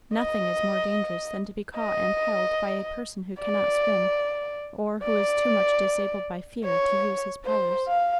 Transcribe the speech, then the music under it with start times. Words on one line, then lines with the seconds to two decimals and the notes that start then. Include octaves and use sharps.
Nothing is more dangerous than to be caught and held by a person who cannot swim, or who is too much disabled by fear to use his powers.
0.15 D#5
1.78 D#5
3.40 D5
5.03 D5
6.65 C#5
7.46 C5
7.87 F5